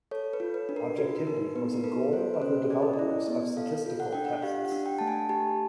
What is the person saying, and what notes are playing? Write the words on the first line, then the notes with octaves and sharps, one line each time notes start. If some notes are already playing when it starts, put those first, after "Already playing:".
Objectivity was a goal of the developers of statistical tests.
A4 C#5
B4
F4
B4
D4
A#4
F#4 B4
D#4 A#4
B3 B4
A#4
A4 B4
F4 C5
B4
C#4 C5
G#4 D5
D#5
D5
E4
B3
A4 F5
F4
F#5
D4 G5
F#5
G4 F5
F#5
D4
G5
A3 A5
G#5
G4 A5